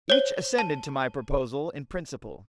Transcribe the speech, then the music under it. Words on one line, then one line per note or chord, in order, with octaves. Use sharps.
Each assented to my proposal in principle.
C5 C#5
A5